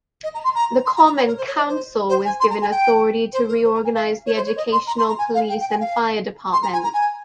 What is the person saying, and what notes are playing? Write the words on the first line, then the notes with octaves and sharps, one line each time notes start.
The common council was given authority to reorganize the educational, police, and fire departments.
D#5
A#5
C6
A#5
C6
A#5
A#5
C#5
A#4
C5
C#5
D#5
C5
C5
G#5
C6
A#5
G#5
G5
C5
A#4
C5
A#5
G#5
F5
C#5
C5
C#5
D#5
C6
A#5
C6
A#5
G#5
F5
G5
G5
G#5
F5
C6
A#5
G#5
A#5
G#5